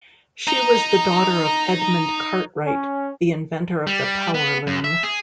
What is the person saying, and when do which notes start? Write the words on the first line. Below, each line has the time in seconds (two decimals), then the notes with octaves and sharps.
She was the daughter of Edmund Cartwright, the inventor of the power loom.
0.47 D#4 A#5
2.65 C#4
3.87 G3
4.34 B3
4.67 F#2
4.84 E5
5.03 G#4